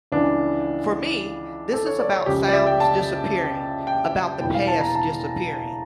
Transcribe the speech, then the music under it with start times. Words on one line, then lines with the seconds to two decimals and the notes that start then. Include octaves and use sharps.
For me this is about sounds disappearing, about the past disappearing.
0.12 C#2 C#3 E3 D4
1.73 A4
1.86 C#5
1.99 D5
2.13 C#5
2.26 C#2 C#3 F3 G4
2.48 D5
2.53 E5
2.67 G5
2.80 A5
3.87 G5
4.41 E1 E2 E3 G5
4.54 F5
4.67 A5
4.81 A#5
4.95 A5